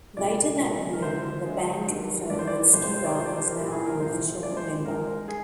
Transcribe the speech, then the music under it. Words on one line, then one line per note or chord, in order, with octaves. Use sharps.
Later that year, the band confirmed that Skiba was now an official member.
D2 C3 F3 G#3 D5
D2 C3 F3 G#3
A#4
D2 D3 G#3 C5
D2 D3 G#3
G2 D#3 G3
G2 D#3 G3 D5
C5
D5
F2 C3 G3 C5
C5
C5
D5
F2 C3 G3 C5
D5
C5
A#4
C2 A#2 G3 G4
G#4
A#4
C2 A#2 G3 C5
G2 F3 G#3 D5
C5
G2 F3 G#3 A#4
G#4